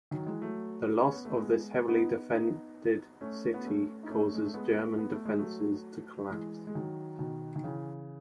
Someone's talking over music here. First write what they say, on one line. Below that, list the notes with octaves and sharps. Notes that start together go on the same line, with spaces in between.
The loss of this heavily defended city caused German defenses to collapse.
D#3 F#3
E3 G#3
F#3 A3
C#4
B3
A3
G#3 B3
B3 D#4
B3 D#4
A3 C#4
B3
A3 C#4
D#4
A3 C#4
G#3
A3
G#3 B3
B3
A3
G#3
F#3 A3
E3 G#3
G#3
D#3 F#3
B2 D#3
D#3
C#3 E3